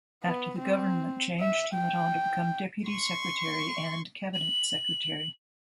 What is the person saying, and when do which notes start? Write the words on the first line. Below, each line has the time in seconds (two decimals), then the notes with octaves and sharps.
After the government changed he went on to become Deputy Secretary and cabinet secretary.
0.23 B3
0.59 C4
1.40 E5
1.74 G5
2.88 C6 C#6
4.34 F#7